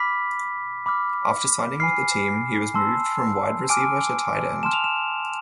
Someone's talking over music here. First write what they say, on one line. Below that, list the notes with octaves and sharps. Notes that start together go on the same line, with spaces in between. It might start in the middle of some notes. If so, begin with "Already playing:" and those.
After signing with the team he was moved from wide receiver to tight end.
Already playing: B5 D6 F6 B6
B5 D6 F6
G#5 B5 F6 C7
A5 C6 E6
G#5 D6 F6 D7
A5 C6 F6 E7
F7
E7